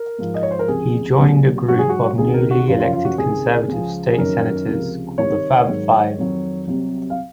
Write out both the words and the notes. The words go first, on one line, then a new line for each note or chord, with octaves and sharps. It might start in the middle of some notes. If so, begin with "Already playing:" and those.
He joined a group of newly elected conservative State Senators called the "Fab Five".
Already playing: A#4
G#2 F3
D#5
C#5
C5
A#4
C#2 C3 F3 G#4
C2 A#2 F#3
G#2 F#3 F#4
G#4
F#4
C#2 C3 D#3 G#4
A#4
F#4
F#2 F3 F4
F4
F4
F#4
C#2 C3 D#3 G#4
C#2 C#3 F3
G#4
F#2 D#3 F#3 A#4
C#2 C3 F3
C2 C3 D#3 C#5
G#2 D#3 F#3
F2 D#3 F#3
C2 C3 F#3
F5